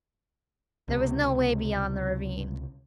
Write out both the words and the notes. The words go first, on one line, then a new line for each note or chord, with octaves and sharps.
There was no way beyond the ravine.
C#2 C3